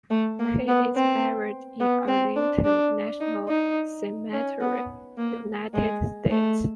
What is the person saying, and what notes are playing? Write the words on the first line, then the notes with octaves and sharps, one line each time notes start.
He is buried in Arlington National Cemetery, United States.
A3
A#3
B3
C4
B3
C4
D4
D4
D#4
D#4
C#4
B3
A#3
G#3
A3